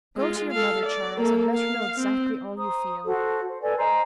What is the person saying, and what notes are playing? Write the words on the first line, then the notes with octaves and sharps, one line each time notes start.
Go to your mother, Charles, and let her know exactly all you feel.
G#3 F4
A4 F5
D5
A#3 A4
F5
C4
C5 A#5 D#6
F#4 A4 C5
C5
A4 B4 D5 G#5
C5 D#5 G#5 A#5